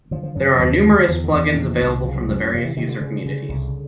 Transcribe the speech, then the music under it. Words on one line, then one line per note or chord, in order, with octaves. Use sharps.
There are numerous plugins available from the various user communities.
D3 F3
F3
F#2 F#3
F#3
D#2 F3
D3
E2
D3
E2
D#3
A#2
C2
C#3 F3
F#3
F#2 G3
F#3
C3 F3
E3
C3 D#3
D3
C#3
C#3
C2